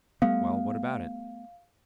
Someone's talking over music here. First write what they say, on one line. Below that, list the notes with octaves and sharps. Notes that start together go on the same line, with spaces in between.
"Well--what about it?"
G3 A3 B3 F5